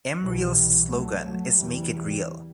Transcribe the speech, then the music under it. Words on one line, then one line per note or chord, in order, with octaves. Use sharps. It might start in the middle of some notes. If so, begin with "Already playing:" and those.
M-real's slogan is "make it real".
C2 B2 E3 G3
F#3 A3
F#3 A3
E2 C3 E3 G3